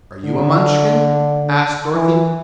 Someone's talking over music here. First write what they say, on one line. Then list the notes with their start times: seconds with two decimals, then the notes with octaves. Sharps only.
"Are you a Munchkin?" asked Dorothy.
0.24 D3
1.95 E3